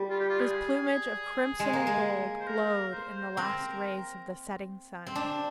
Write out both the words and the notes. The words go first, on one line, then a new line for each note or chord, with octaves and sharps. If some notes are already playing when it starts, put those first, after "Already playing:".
His plumage of crimson and gold glowed in the last rays of the setting sun.
Already playing: G3
F4
G4
F4
G#4
G#3
A#3
G#3
C5
A#4
C5
C4 A#4
A#4
C4
D4